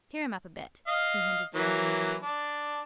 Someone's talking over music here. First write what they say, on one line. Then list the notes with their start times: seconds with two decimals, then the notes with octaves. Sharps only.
"Cheer 'em up a bit!" he hinted to my Lady.
0.87 D#5 F5
1.55 E3 F#3 A#3
2.22 D4